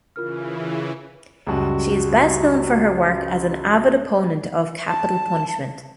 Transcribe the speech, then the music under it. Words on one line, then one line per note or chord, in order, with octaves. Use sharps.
She is best known for her work as an avid opponent of capital punishment.
C#3 E3 F4 A#4 F6
C#2 F#2 G3 F#4 A5
A5